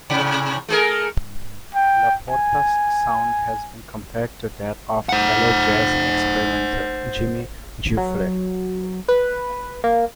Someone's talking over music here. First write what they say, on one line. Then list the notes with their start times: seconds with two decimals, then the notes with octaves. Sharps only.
LaPorta's sound has been compared to that of fellow jazz experimenter Jimmy Giuffre.
0.10 A2 C3
0.69 A3 G#4 A#4
1.75 G5
2.31 G#5
5.09 C5 F#5
7.97 F#3
9.09 B4
9.84 A#3